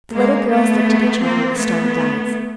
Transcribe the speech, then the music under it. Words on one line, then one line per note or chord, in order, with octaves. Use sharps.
The little girls looked at each other with startled eyes.
G#3 A#3
A3 B3
A#3 C4
A3 B3